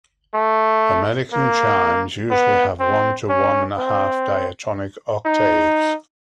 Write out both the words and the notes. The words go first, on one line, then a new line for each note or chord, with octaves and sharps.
American chimes usually have one to one and a half diatonic octaves.
A3
A#3
B3
C4
C#4
C4
D#4